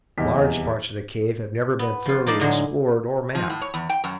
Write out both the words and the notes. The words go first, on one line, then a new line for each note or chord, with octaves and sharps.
Large parts of the cave have never been thoroughly explored or mapped.
D#1 E2 C3 D#5 F6 B6
B3
F3 F4
F3 D4 D#4 D5 A5
A2 D3 F#3 G#3
F3
A2
C#5
E2
G5
F#2